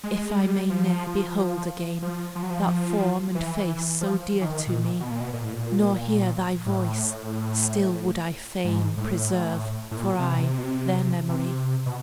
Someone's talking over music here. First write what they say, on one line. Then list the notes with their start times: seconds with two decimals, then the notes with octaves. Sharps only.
If I may ne'er behold again That form and face so dear to me, Nor hear thy voice, still would I fain Preserve, for aye, their memory.
0.03 G#3
0.29 G#3
0.37 G3
0.70 F3
2.02 F3
2.35 F3
2.43 F#3
2.50 F3
3.35 E3
4.01 F3
4.41 E3
4.45 D#3
4.67 A#2
5.00 B2
5.11 A#2
5.20 B2
5.33 A#2
5.43 A2
5.53 A#2
6.66 A2
8.64 G#2
8.97 A2
9.91 A2
9.97 A#2
10.19 C3
10.37 B2
10.41 C3
10.58 B2
10.63 C3
11.29 C3
11.86 B2